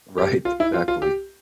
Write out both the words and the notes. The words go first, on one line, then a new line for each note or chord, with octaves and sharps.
Right, exactly.
G4
F4
E4
F4
F4
G4